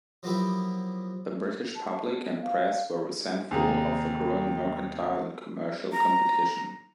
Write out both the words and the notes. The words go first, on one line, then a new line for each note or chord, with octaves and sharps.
The British public and press were resentful of the growing mercantile and commercial competition.
F3 F#3 A#3 B3 E4 G4
A5
B3
F5
D#2 C3 G#4 A#5
A#5